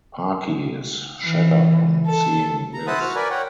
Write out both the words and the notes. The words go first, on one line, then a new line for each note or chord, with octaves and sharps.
Pakhi is shattered on seeing this.
E3
A4
A#5
E4 C5 F#5 A5 B5 D#6
F#4 F6
A#4 B4 D5 G#5 B5
C#5 F#5 G5